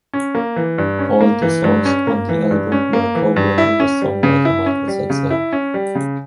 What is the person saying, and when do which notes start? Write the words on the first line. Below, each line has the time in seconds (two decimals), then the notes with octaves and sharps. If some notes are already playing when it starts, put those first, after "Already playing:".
All the songs on the album were co-written with songwriter Michael Saxell.
0.13 C#4
0.35 A#3
0.56 E3
0.78 G2
0.99 C#4
1.21 A#3
1.42 E3
1.64 G2
1.85 C#4
2.07 A#3
2.29 E3
2.51 G2
2.72 C#4
2.93 A#3
3.15 E3
3.36 G2
3.58 E4
3.80 C#4
4.02 G3
4.23 C#3
4.45 E4
4.66 C#4
4.88 G3
5.10 C#3
5.31 E4
5.53 C#4
5.74 G3
5.95 C#3